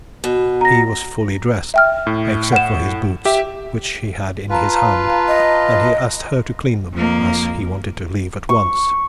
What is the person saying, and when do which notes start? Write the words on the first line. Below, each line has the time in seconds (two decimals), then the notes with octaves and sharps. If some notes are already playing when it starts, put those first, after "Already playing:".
He was fully dressed, except for his boots, which he had in his hand, and he asked her to clean them, as he wanted to leave at once.
0.24 B2
0.61 A#5 A#6
1.74 E5 G5 F6
2.07 A2
2.52 F#5 E7
3.25 G4 E5
4.50 F4 B4 F5 A5 A#5
5.28 D#5
6.93 F2 A#3
8.49 C#6